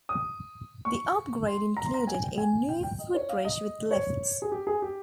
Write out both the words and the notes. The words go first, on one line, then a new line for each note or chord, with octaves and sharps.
The upgrade included a new footbridge with lifts.
D#6
C#6
C6
A#5
C6
A#5
G#5
G5
G#5
G5
G5
D#5
C#5
F5
D#5
C#5
G#4
G4
G#4
G4